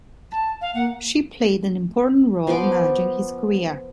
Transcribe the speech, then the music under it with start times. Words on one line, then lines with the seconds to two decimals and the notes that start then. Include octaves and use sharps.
She played an important role managing his career.
0.31 A5
0.61 F5
0.74 A#3 F#5
2.47 F3 B3 C6 D6